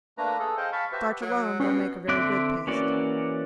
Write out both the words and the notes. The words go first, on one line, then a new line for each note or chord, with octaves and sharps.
Starch alone will make a very good paste.
A3 A#3 D4 B4 A#5
G#4 A4
G#4 C5 D#5 F5 G5
F5 A5 B5 C#6
F#4 G4 B4 C5 E5
F#3
B2 C#4
D3 C4 E5 D6 F#6
E3 A#3 C#4 F#4 D5